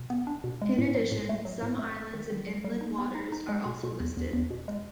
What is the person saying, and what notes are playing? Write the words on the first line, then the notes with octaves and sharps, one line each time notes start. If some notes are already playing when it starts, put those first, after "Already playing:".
In addition, some islands in inland waters are also listed.
Already playing: B2
B3
D4
B2
G#3
A2
F#3
A2
A3
F#3
A2
A3
A3
D#3
D#3
G3
G3
D#4
B3
D#4
D#4
G#3
B2
B2
E2
E2
E2
B2
G#3